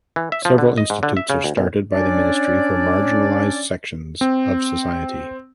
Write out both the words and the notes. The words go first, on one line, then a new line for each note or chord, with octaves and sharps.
Several institutes are started by the ministry for marginalized sections of society.
E3
E5
F3
D3
D#5
G#2
D3
E5
C#3
D2
B1
C#4 D4 D5
C4